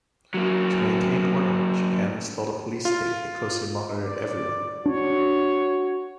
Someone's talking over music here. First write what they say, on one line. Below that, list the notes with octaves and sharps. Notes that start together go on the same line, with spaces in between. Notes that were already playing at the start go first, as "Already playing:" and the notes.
To maintain order, Japan installed a police state that closely monitored everyone.
F#3 A#3
F4
D5
D4 F#4 C#5